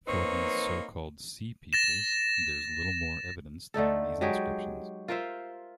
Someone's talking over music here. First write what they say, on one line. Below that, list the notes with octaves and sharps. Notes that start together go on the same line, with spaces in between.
For these so-called "Sea Peoples", there is little more evidence than these inscriptions.
A#3 C4 D#4 B4 C#5
A6 A#6 E7
D3 A3 D#4 A4
F#3 G#3 G4 G#4
F4 A#4 C5 E5